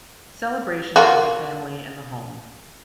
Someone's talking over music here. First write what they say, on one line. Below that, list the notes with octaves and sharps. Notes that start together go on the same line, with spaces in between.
Celebration of the Family and the Home.
A#3 F4 F#4